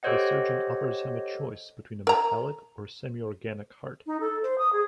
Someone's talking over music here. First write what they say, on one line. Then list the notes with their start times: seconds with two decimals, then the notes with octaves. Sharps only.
The surgeon offers him a choice between a metallic or semi-organic heart.
0.03 G4 A4 C5 C#5 D#5 F#5
2.07 A#4 A#5
4.07 D#4
4.21 A4
4.43 C5
4.58 D#6
4.73 G#4